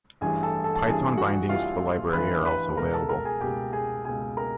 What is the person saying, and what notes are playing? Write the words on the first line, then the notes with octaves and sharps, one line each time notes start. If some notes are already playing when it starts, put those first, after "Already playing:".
Python bindings for the library are also available.
A1 G2 E3 G3 G#4 G#5
A4 A5
A4 A5
A5
A1 G2 E3 G3 G#4 G#5
F#4 F#5
A1 G2 E3 G3 F4 F5
A1 G2 E3 G3 B4 B5
B4 B5
C#2 B2 G#3 A#4 A#5
A4 A5
A#4 A#5
G#4 G#5
C#2 B2 G#3 G4 G5
G#4 G#5
C#2 B2 G#3 G#4 G#5
A#4 A#5